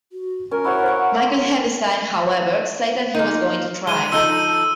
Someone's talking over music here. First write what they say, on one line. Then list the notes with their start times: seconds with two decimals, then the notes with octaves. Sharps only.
Michael Heaviside, however, said that he was going to try.
0.12 F#4
0.51 C#4 A#4
0.64 E4 F#4 C5 C#5
0.86 F5 F#5 C#6
1.22 C4
3.15 A#3 D#4
3.87 G#3 D#7 G7
4.12 F3 D#4 A4 E6 D#7 G7